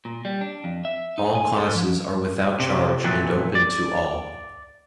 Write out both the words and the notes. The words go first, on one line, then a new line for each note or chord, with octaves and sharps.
All classes are without charge and open to all.
A#2
G3
D4
F2
E5
D#4
G#5
A4
F3
C3
F2 A#2 E3 F#3 A3
D5